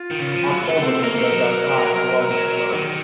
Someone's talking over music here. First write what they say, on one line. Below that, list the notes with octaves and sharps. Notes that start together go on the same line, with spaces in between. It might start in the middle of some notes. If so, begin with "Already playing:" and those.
October then goes outside alone to smoke.
Already playing: F4
D#3
C#3
F3
F#3
A3 F#4
F#4
C4 A4
A#3 A#4
A3
F#3
A#4
F#3
D#3 F#4